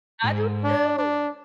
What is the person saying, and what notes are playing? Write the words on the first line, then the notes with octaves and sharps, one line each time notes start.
I do too!
A2
G#2
D4
D4